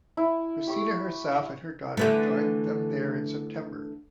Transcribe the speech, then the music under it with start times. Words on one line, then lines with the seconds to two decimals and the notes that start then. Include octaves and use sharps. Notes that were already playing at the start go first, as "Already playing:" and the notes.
Christina herself and her daughters joined them there in September.
0.17 E4
0.67 G4 C#6
1.97 D3 E3 A3